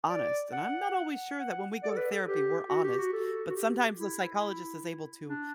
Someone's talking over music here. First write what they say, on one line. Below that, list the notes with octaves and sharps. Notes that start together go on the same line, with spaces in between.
honest, and I'm not always sure that when we go to therapy, we're honest, but, sometimes the psychologist is able to,
D5
F#5
F#5
D5
A4
B4
A4
G4
F#4
G4
F#4
A4
F#4
G4
E4
D4